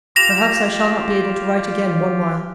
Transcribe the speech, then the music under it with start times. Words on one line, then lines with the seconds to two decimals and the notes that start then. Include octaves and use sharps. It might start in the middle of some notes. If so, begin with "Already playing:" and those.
Perhaps I shall not be able to write again one while.
0.16 F4 G4 A#6 E7 F7